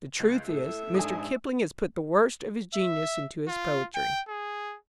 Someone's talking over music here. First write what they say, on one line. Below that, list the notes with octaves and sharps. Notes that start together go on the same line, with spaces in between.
The truth is, Mr. Kipling has put the worst of his genius into his poetry.
C#2
A2 A4 E5
G#2 D4 D#4 G#5 D#6
E5
F4
G5
G#4